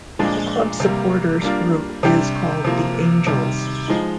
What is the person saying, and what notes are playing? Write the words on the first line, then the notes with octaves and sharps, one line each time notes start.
The club's supporters group is called the Angels.
A#2 F3 G#3 D4
C3 G3 A#3
G3 A#3 D4 F4
C3 G3 D4 G4
C3 F3 A#3
C3 D#3 G3
F3 G#3 D#4